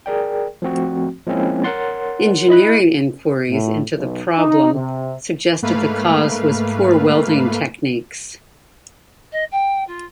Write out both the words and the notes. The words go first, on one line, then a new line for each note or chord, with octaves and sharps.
Engineering inquiries into the problem suggested the cause was poor welding techniques.
G#4 A#4 D5 G5
F3 A3 C4 F#4
F3 G#3 A#3 C4 C#4 E4
A#4 C#5 F#5 C6 A6
E4 D#5 B5 F#6
A2
B1
D#4
C3
G#2 A3 A#3 B4 F5
D#5
G5
F4